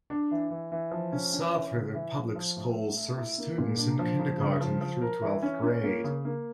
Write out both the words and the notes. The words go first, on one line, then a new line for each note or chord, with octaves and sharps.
The South River Public Schools serve students in kindergarten through twelfth grade.
D4
E3
E3
E3
F3
C#4
C#4
E3
C#3
E3
F3
F3
A2
A3
A3
E4
A#3
A#2
D4
F3
C#3
C#3
F3
F3
A#4
E3
C#4
C#4
A#3
C#3
A#3